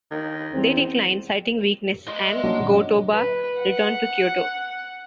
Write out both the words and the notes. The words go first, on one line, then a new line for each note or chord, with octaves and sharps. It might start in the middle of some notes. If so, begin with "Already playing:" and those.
They declined, citing weakness, and Go-Toba returned to Kyoto.
D#3
E2 C4
D#5 C6
D5 E5
F#3 A#3 C#4 D4
G2 A#2 D3
B4
F#5